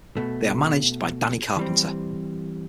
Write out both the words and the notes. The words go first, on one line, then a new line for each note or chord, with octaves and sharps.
They are managed by Danny Carpenter.
B2 A3
E3 G3 C4